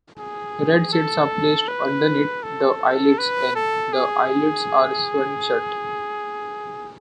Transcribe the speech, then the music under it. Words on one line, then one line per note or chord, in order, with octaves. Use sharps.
Red seeds are placed underneath the eyelids and the eyelids are sewn shut.
G#4
A4
B4
A4
B4
A4
G#4